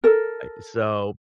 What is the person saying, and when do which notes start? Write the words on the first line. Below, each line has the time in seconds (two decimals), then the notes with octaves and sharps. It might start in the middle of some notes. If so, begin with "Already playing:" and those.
I so
0.04 A4 A#4